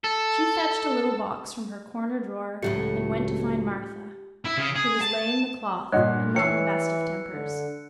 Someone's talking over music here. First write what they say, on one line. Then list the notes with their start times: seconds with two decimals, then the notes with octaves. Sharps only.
She fetched a little box from her corner drawer, and went to find Martha, who was laying the cloth and not in the best of tempers.
0.04 A4
2.63 C#2 A2 F#3 A3 F4 G4 C#7
4.45 E4
4.58 C#3
4.75 G#4
5.02 A5
5.92 G2 A#2 C#5 D#5 F#5 F#6
6.36 E3 C#5 G5 E6 C7 C#7
7.33 D3